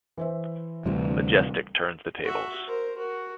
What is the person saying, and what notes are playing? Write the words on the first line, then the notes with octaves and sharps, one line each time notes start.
Majestyk turns the tables.
E3 C5 E5
D2 C3 E3 G3
F#4 E5
A#4 C5
F#4 A#4